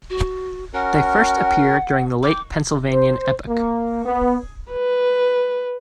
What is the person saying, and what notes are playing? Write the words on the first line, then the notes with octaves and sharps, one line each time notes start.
They first appear during the Late Pennsylvanian epoch.
F#4
C#4 F#4 A#4 F#5
G5 D6
C5
A#3
B3
B4